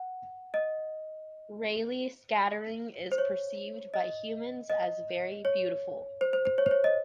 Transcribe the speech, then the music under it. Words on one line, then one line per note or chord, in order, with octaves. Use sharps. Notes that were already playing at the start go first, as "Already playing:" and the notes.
Raleigh scattering is perceived by humans as very beautiful.
Already playing: F#5
D#5
C5
C#5
D#5
D#5
C#5
C5
C5
C5
C#5
C5
C#5
D#5